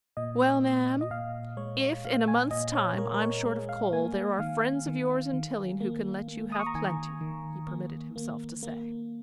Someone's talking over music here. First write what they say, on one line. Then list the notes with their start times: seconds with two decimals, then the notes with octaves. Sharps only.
"Well, ma'am, if in a month's time I'm short of coal, there are friends of yours in Tilling who can let you have plenty," he permitted himself to say. . . .
0.17 A#2 D#5
0.64 A#2
1.01 D#5
1.10 A#2 F5
1.57 G#3 C#5
2.05 A#2 F5
2.28 G#5
2.51 A#2 D#5
2.75 C#5
2.98 G#3 A#4
3.14 A#4
3.22 C#5
3.45 G#3
3.69 F5
3.92 A#3 G#5
4.39 D#3 F5
4.87 D#3
5.33 D#3
5.80 A#3
6.28 A#3
6.52 D#6
6.59 C#6
6.66 A#5
6.75 D#3 G#5
7.21 D#3
7.68 A#3
8.16 A#3
8.63 A#3